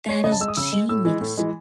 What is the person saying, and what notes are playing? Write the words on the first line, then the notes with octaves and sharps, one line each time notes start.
That is genius.
G#3 C#5
C#3 D#5
A5
G#3 E6
D#6
C#3 E6
G#3
A2 E6
E3 G#3
A2
E3 G#3